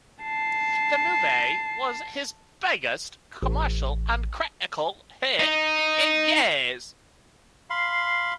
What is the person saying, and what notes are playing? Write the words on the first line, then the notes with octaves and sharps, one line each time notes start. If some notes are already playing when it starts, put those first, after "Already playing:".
The movie was his biggest commercial and critical hit in years.
A5 C7
A1
D#4
F5 B5 C6